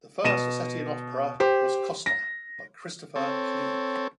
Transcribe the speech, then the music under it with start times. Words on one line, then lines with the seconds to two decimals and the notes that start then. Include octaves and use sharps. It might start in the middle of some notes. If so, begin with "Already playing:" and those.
The first Ossetian opera was "Kosta", by Christopher Pliev.
0.24 B2 A#6 D#7 E7
1.40 G4 C5
2.06 A#6
3.16 C4 A4 C#5